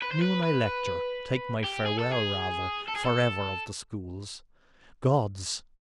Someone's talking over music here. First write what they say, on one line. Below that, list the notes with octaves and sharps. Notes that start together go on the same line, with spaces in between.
At noon I lecture.... take my farewell, rather, for ever of the schools....Gods!
B4
C5
B4
B4
G4
G#4
A4
G#4
A4
G#4
A4